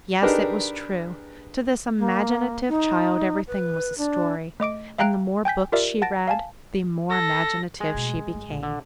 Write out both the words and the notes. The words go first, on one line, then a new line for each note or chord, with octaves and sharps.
Yes, it was true; to this imaginative child everything was a story; and the more books she read, the more imaginative she became.
D4 D#4 G4 G#4 A#4 B4
A#3
D#4
B4
D4
A3 D#5 D6 D7
E5 F5 G5 A#5 F#6 D7
G5 G#5 G6 B6
F4 G4 A#4 D5 E5
F#5 A5 A6 A#6 D7
F5 G#5 A5
A4 A#6
G#3 G#4
B2 A3
C4
G1
A#1 D#3
D3